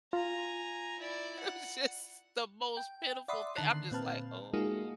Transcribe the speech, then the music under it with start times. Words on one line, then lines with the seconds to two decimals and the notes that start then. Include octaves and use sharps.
It was just the most pitiful thing I'm just, like, "Oh,
0.13 F4 G#5 A#5
1.00 E4 D5
1.40 F#5
2.77 G5
3.28 D5 E5 F#5 B5 C6 D#6
3.55 D3 D#3 A5 F#6 C7
3.91 A#2 C4 B4 A5 F6
4.53 G#3 A#3 D#4 F4 F#4 G#4